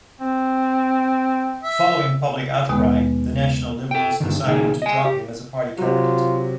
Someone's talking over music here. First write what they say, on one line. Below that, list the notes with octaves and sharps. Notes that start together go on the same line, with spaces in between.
Following public outcry, the National Liberals decided to drop him as party candidate.
C4
E5
D#2 B2 D#3 G#3 B3 D#6
A4 G5
G2 D3 D#3
C#2 A#2 D#3 G#4
D#5 G#5
G4
C3 F#3 F4